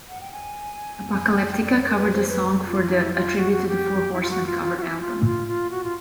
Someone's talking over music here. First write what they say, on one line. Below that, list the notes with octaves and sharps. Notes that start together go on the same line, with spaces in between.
Apocalyptica covered the song for the "A Tribute to the Four Horsemen" cover album.
F#5
G5
G#5
G5
D5
C#5
A#4
B4
C5
B4
F4
E4
F4
F#4
F#4
G4
E4
F4
F#4
F4
F4
F#4
E4
F4
F4
F4
F#4
F4